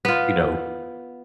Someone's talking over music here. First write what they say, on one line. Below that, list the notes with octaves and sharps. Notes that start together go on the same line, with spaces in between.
you know,
B3 F4